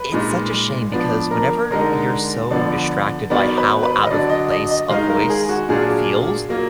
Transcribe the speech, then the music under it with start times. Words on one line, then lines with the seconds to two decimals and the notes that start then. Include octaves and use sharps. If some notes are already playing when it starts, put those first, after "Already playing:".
it's such a shame because whenever you're so distracted by how out of place a voice feels,
Already playing: B4
0.12 A#2 G#3 D#4
0.92 F3 B3 D4
1.31 A#4
1.71 D3 G#3 D#4 A#4
2.51 D3 F3 B3 D5
3.30 D#3 F#3 B3 D5
3.58 B4
3.83 B4
4.04 D#5
4.10 D3 F#3 D4 D5
4.29 D#5
4.50 D#5
4.70 D#5
4.89 D#3 G#3 D#4 F5
5.10 A#4
5.30 G#4
5.49 F#4
5.69 A#2 F#3 D4 F4 G#4
6.49 F#3 A#3 F4